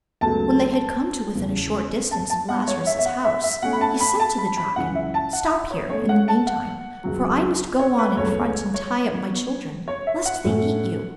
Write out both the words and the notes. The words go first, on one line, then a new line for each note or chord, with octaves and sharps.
When they had come to within a short; distance of Lazarus's house, he said to the Draken: 'Stop here, in the meantime, for I must go on in front and tie up my children, lest they eat you.'
C#2 B2 F#3 A3 A5
E2 C#3 E3
A5
A5
B2 B3 F#5
C#5
E5
E5
F#5
E5
E5
B2 A3 C#4 F#5
B5
A5
B5
A5
B5
B5
C#2 C#3 E3 C#4 F#5
E5
A5
F#5
E5
C#5
B2 A3 C#4 C#5
F#5
A5
F#5
C#2 C#3 F#3
C#5
B4
C#2 B2 A3 C#4 C#5
C#5
B2 B3
C#5
E5
F#5
A2 A3 C#4